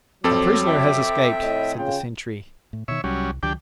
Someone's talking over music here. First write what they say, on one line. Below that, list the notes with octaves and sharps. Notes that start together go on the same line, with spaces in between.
"A prisoner has escaped," said the sentry.
F2 F#3 C4 A4 D6
E5 G5
A2 D#5
C#3 F4 G5
A2
B2 D#3 C#5 E5
C2 F#3 G3 C#4
C#2 D#3 F#3 D4 G4 G5